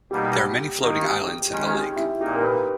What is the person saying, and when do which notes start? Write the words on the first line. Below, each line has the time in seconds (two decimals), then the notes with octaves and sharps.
There are many floating islands in the lake.
0.11 B2 G3 A#3 D#4 G4
0.80 D#3 A#3 D#4 G4
1.04 G4
1.28 G4
1.50 D#3 G#3 C#4 D#4
1.74 G4
1.96 E4
2.20 A#2 A#3 D#4 G4
2.35 A#4
2.43 B4